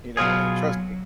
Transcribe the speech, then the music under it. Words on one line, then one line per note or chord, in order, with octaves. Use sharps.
You know? And trust me.
B2 F#3 F4 G#4